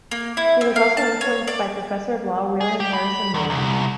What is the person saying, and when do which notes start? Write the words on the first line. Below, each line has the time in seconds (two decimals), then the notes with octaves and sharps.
He was also influenced by professor of law, William Harrison Moore.
0.11 A#3
0.37 E4
0.61 C4
0.76 F5
0.97 A5
1.21 C#5
1.47 D5
2.61 G#4
2.80 G4
2.94 B5
3.34 E2
3.50 C2